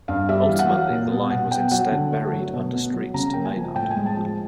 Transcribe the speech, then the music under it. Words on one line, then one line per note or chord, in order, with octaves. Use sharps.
Ultimately the line was instead buried under streets to Maynard.
G2 F5
G3 E5
E3 F5
F#5
F#3 F5
A#2
B3
B2 F#5
B3 G5
F#3 F#5
D3
A3
F#3
B2
B3
F#3
C#3 A#5
A#3 G5
G#5
F3
A2 G5
G#5
G#3
A5
F3